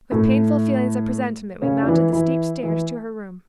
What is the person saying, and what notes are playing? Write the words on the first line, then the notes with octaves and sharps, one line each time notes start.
With painful feelings of presentiment we mounted the steep stairs to her room.
A2 A3
C#3 C#4
D4
E3 E4
E3 E4
E3 E4